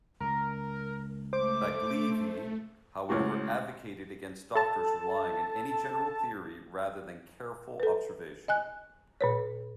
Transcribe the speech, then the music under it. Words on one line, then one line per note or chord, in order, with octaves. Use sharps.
Baglivi, however, advocated against doctors relying on any general theory rather than careful observation.
C#2 A#4
A3 C5 D6
C#2 A2 F#4
A4 A5
A4 B4
D#5 G#5 F#6
A#2 B4 C#5